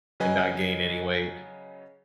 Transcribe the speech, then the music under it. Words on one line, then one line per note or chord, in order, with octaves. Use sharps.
and not gain any weight.
C#3 F#3 B4 D#5 G#5